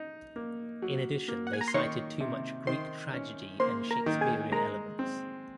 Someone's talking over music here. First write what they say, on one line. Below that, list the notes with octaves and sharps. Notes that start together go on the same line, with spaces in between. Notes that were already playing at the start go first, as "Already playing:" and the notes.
In addition they cited too much "Greek tragedy and Shakespearean" elements.
Already playing: D#4
A#3
F#3
A#3
F#5
G#5
A#5
C6
D#3 C#5 C#6
C3
D#3 C5 C6
C#4
A#3 C5 C6
A#4 A#5
D#3
G#4 G#5
G#3 A#4 A#5
C4